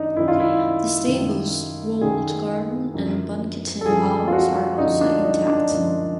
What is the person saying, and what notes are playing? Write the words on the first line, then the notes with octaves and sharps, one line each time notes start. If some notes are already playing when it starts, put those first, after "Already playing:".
The stables, walled garden and Banqueting House are also intact.
Already playing: F#2 D#3 D4 D#4
F#2 D#3 E4
F4
E4
F#2 D#3
F#2 D#3 G#4
F#2 D3 F3
A4
F#2 D3 F3 G#4
F4
F#4
F#2 D3 F3 D#4
D4
D#4
D4
F#2 D3 F3